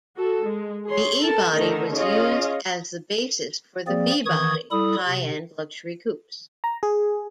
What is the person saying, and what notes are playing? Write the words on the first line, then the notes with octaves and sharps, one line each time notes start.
The E-body was used as the basis for the V-body high-end luxury coupes.
F#4 A4
G#3
G#4 C#5 C6
A4 A#4 A5
D3 D#3 A3 D#4 A#4
C#4 F4 G#4 C#5 D#5
F3 A#3 C4 G#4 D5
D#3 E3 C#6 D#6 G#6
G3 E4 A4 B5 D#6
C3
A#5
G#4